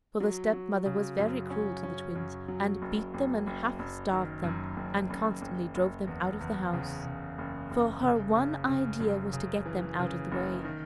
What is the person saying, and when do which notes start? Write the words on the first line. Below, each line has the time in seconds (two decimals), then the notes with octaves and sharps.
For the step-mother was very cruel to the twins, and beat them, and half-starved them, and constantly drove them out of the house; for her one idea was to get them out of the way.
0.20 F#3
0.53 F#3
0.86 C#3
1.19 F#2
1.50 C#4
1.83 C#4
2.16 F#2
2.48 F#3
2.82 F#1
3.14 F#1
3.47 F#1
3.79 F#1
4.12 D#3
4.44 F#2
4.76 F#1
5.10 F#1
5.42 F#1
5.75 F#1
6.07 E2
6.41 E2
6.73 C#3
7.05 C#3
7.38 F#1
7.71 F#1
8.03 C#3
8.35 C#3
8.68 C#3
9.00 F#2
9.33 C#3
9.66 E3
9.99 C#3
10.32 F#1
10.65 D#3